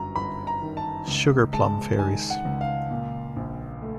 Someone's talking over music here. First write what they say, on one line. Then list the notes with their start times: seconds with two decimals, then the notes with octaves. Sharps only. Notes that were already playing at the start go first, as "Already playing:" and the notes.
Sugar Plum Fairies.
Already playing: G1 F#2 A#5
0.16 G1 B5
0.47 A#5
0.62 D#3
0.77 A5
1.08 C#2
1.53 G#3 A5
1.99 D#3 G#5
2.30 F#5
2.45 C#2
2.61 F5
2.91 A#2
3.36 A#1
3.82 A3